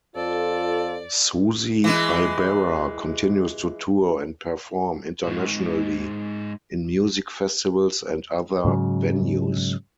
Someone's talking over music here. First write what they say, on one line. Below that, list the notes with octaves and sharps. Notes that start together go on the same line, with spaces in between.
Susie Ibarra continues to tour and perform internationally in music festivals and other venues.
F2 F4 A4 D5
E3 G#3
G#2 F#4
G#2 C#3 F#3